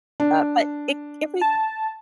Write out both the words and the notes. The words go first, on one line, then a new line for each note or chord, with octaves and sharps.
uh, but it if we
D4
A5